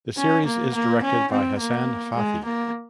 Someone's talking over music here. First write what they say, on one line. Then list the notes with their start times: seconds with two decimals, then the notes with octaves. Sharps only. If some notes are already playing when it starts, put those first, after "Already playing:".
The series is directed by Hassan Fathi.
0.17 C#4
0.46 A#3
0.74 A#3
1.03 C#4
1.31 C4
1.59 A#3
2.16 G#3
2.44 A#3